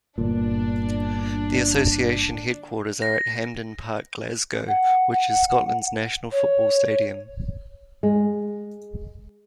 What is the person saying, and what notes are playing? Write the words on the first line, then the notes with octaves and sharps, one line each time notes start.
The association headquarters are at Hampden Park, Glasgow, which is Scotland's national football stadium.
G1 A#2 D4
A#6
F#5
C#5
G#3